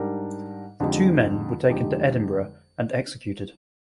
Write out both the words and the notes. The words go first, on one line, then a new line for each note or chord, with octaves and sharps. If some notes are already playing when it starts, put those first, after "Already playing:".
The two men were taken to Edinburgh and executed.
Already playing: G#2 G3 D4 G4 A#4
F2 D3 G#3 D#4 G4
F2 D3 G#3 D#4 G4